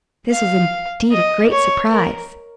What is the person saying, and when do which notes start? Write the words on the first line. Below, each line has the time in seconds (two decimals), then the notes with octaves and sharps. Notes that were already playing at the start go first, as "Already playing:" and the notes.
This was indeed a great surprise.
0.31 F5
1.11 D#5
1.51 C#5
1.91 A#4